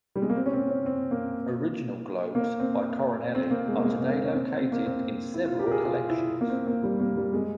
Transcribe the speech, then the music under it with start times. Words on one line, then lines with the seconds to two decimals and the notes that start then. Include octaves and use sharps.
Original globes by Coronelli are today located in several collections.
0.16 G3
0.22 G#3
0.30 A#3
0.36 C4
0.46 C#4
0.53 C4
0.69 C#4
0.86 C4
1.11 A#3
2.35 A#3
2.60 C4
3.35 C4
3.51 A#3
3.68 G#3
3.77 A#3
3.84 G#3
3.99 C4
4.09 A#3
4.25 C#4
4.34 C4
4.60 C4
4.72 A#3
4.86 C4
5.34 E4
5.46 F4
5.59 G4
5.66 A#4
5.71 G#4
5.84 F4
6.09 E4
6.41 A#3
6.50 C4
6.67 A#3
6.83 G3
7.00 A#3
7.17 G3
7.33 G#3